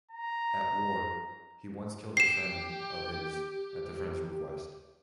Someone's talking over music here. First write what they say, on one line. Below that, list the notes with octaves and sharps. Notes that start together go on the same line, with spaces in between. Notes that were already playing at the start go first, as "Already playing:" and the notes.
At war, he once killed a friend of his at the friend's request.
A#5
G4 C7 E7